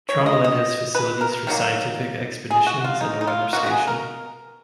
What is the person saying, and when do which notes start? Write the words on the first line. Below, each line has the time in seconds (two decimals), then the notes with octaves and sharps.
Tromelin has facilities for scientific expeditions and a weather station.
0.09 C#5
0.26 D#5
0.44 D#5
0.95 B4
1.21 A#4
1.47 D#3 F#3 A#3
2.51 G#4
2.67 F#4
2.84 F4
3.01 D#4
3.21 D#4
3.27 F4
3.53 B2 A#3 F#4
3.66 F#4
3.70 G#4
3.87 A#4